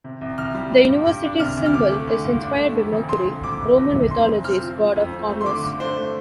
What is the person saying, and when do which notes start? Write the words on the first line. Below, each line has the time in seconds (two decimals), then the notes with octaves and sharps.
The university's symbol is inspired by Mercury, Roman mythology's god of commerce.
0.04 C3
0.21 C2
0.38 C2 F6
0.55 G3
0.72 G3
0.89 G2
1.06 G2
1.23 D4
1.40 C3 F6
1.57 D2
1.66 F6
1.73 D2 D6
1.90 A3
2.07 D3
2.24 G2
2.42 D4
2.58 A3
2.75 F2
2.92 F1
3.08 F1 C6
3.26 D3
3.43 F2 D6
3.60 G1
3.77 G1
3.93 C3
4.11 F2 C6
4.27 F1
4.44 C4 F6
4.61 F3
4.78 F3
4.96 F2
5.12 C4
5.29 A3
5.41 C6
5.46 D3 D6
5.63 G2
5.80 D4 C5
5.97 A3